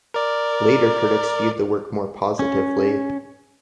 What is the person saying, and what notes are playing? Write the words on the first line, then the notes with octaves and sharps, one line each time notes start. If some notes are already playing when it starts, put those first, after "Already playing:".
Later critics viewed the work more positively.
A#4 D5
C#4